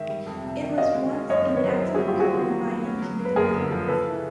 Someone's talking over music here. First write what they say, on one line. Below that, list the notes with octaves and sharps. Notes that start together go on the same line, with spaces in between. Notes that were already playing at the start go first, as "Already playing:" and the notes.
It was once an active coal mining community.
Already playing: G#2 D#3 E5
G3
F2
C3
D#3
F#4 D#5 F5
G#3
C#4
F#2 C#5 D#5
D#3
B4 C#5
F#3 A#4 C5
E4
G3 F#4 G#4
F4 G4
C4 F#4 G#4
D#3
F#3
B3
C#4
F#3
A#3
B4
F#2 G#4 A#4
D3
F3
C#3 A4 B4
E3